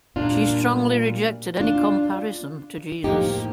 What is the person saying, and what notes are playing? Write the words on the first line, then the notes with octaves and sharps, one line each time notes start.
She strongly rejected any comparison to Jesus.
A#2 G3 A#3 D4 F4
D4 F4
A2 F3 A#3 D#4 G4